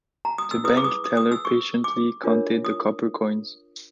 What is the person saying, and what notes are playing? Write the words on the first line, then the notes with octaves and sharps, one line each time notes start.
The bank teller patiently counted the copper coins.
A#5
D#6
E6
E4 G#4 B4 D#6
D6
D#6
D#6
D#6
E6
C#6
D6
D4 F4 A#4 C#5
D#6